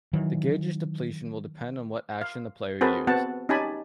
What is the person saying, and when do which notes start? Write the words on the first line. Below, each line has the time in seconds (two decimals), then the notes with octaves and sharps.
The gauge's depletion will depend on what action the player used.
0.13 D#3 E3 F#3
2.21 F5
2.81 C4 F#4 G#4 A#4 B4 A5
3.07 B3 C4 F#4 F#5 A5
3.49 C#4 D#4 G4 G#5 A5 B5